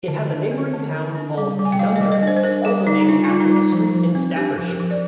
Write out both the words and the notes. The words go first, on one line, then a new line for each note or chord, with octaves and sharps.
It has a neighbouring town called Dundurn, also named after a street in Staffordshire.
D3
D3
C4
D3
D3
D4
G3
G3
G#5
G5
G3 F5
D#5
G3
D#5
D4 C5
C5
D4 A#4
G3 G#4
G3 D#4
D#4
D4 F4
F4
G3
D#4
G3 D#4
F3 D#4
F3
C4
D4 G4
F3
A#4
F3
D5